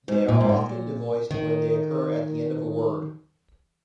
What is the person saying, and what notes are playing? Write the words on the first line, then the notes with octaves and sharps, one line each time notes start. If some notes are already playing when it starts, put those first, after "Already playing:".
They are often devoiced when they occur at the end of a word.
G#2
A#2
G#2
A#2
D#3